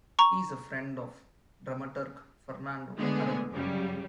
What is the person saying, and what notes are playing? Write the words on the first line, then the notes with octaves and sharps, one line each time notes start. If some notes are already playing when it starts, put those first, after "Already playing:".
He is a friend of dramaturg Fernando Arrabal.
A#5 C#6
D3 G#3 A3 B3 G#4
F#2 C#3 F#3 G3